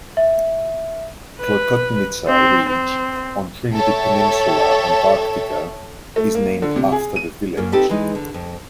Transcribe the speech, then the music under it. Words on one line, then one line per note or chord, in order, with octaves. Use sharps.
Klokotnitsa Ridge on Trinity Peninsula, Antarctica is named after the village.
E5
B4
C4
C4
A4 C#5 E5 G5
A3
A#3
D3
C3
G#4
D#7
F#2 A#3
C4 D#4 G4 A4 B4
E3 G#3 D#4
D3
F2